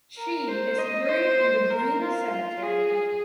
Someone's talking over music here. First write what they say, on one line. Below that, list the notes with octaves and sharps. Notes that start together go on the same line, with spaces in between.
She is buried in the Broome cemetery.
A#4
C5
D#5
C5
A#4
F4
G#4
G#4